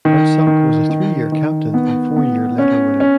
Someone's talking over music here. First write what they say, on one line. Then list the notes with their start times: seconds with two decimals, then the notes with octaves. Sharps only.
Hartsock was a three-year captain and four-year letter winner.
0.05 D#3
0.47 D#3
0.89 D#3
1.32 D#3
1.74 B3
2.16 B3
2.58 C#4
3.00 C#4